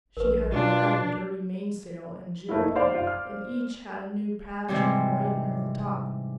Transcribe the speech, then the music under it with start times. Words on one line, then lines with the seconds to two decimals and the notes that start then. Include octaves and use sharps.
She had a rather dirty mainsail and jib, and each had a new patch of white near the top.
0.17 A#1 A#4 B4
0.52 B2 D4 F4
2.49 A3 A#3 E4
2.61 D#4
2.75 C5 D5 F5
2.94 F4
3.07 F6
4.68 G#2 C3 E3 G3